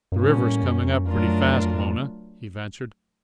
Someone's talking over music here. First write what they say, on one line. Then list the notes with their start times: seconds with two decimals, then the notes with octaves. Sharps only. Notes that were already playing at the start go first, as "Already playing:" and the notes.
"The river's coming up pretty fast, Mona," he ventured.
0.12 F#2
0.16 G2 G3 A#3 C#4
0.28 A#2
0.39 A2
0.63 F#2
0.85 F2
0.94 F#2
1.05 F2 F#3 A3 D4 F4 A#4
1.14 F#2
1.24 F2
1.33 F#2
1.44 F2
1.54 F#2
1.64 F2